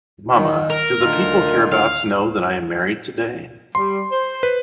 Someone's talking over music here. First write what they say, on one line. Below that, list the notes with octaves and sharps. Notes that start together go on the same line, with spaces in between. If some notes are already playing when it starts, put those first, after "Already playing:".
Mamma, do the people hereabouts know I am married to-day?
D#3
A#4
D2 D#3 F4
F5
G3 C6
C5
B4